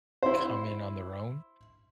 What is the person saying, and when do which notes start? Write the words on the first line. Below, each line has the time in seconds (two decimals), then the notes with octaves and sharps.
come in on their own,
0.23 E4 C5